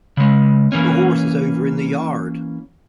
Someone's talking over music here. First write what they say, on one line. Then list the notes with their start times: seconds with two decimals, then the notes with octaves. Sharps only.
The horse is over in the yard.
0.17 C#3 G#3
0.72 E3 A#3 C#4